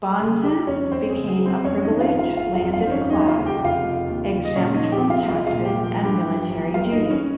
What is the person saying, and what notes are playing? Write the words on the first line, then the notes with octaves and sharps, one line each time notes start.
Bonzes became a privileged landed class, exempt from taxes and military duty.
C#3 G#4
G3 G4
F2 C#4 C#5
F2 C4 C5
G#4
C#3
G#4
G3
C4 C5
F2 C#4 C#5
D#4 D#5
D#3
F4 F5
G1
F4 F5
G1 F4 F5
F4 F5
F2
F4 F5
D#3 C5
C#4 C#5
D#2 D#4 D#5
F4 F5
C#3
F5
G4 G5
F1
F4 F5
G#3
D#2
C#3
D#5
A#2 C#4 C#5
D#4 D#5
F3
G4 G5
C2
F4 F5
G#3 F4 F5
F4 F5
A#2
G4 G5
F3
G5
G2 G4 G5
F3
G1
G5
G#3 F4 F5
D#4 D#5
G2
C#4 C#5